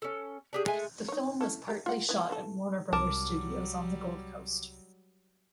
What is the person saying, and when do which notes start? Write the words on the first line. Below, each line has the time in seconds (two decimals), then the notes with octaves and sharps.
The film was partly shot at Warner Brothers studios on the Gold Coast.
0.02 C#4 A4
0.53 D4 G4 G#4
0.65 G#3 A3 G#5
1.08 D#4 C#5
1.41 C#4 E4 A4
1.68 G4 A#4
1.86 F4 F#5
2.09 B3 E4
2.29 E3 A3 A4
2.93 C2 F#3 G3 A#4 A5 D6